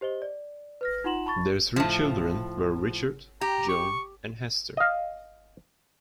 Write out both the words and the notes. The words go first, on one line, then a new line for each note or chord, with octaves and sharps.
Their three children were Richard, Joan, and Hester.
G4 C5 D#5 G7
D5
B4 F6 A#6
D#4 F4 F#5 C6 E7 F#7
A5 B5 C#6 A6
A2 F3
G4 A#5
C#6
D#5 F5